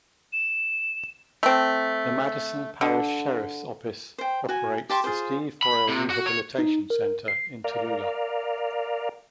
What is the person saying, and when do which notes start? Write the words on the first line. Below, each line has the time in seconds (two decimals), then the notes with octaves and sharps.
The Madison Parish Sheriff's office operates the Steve Hoyle Rehabilitation Center in Tallulah.
0.33 E7
1.43 A3 C4
2.81 D3
4.18 C5 G5
4.49 F#4 G#5
4.90 G4 A5 C6 C#6
5.04 F4 G#4 C5
5.63 B5
5.88 C3
6.10 F#4
6.26 C#5
6.59 D#4
6.90 A#4
7.28 C7
7.64 A#4 D5 F5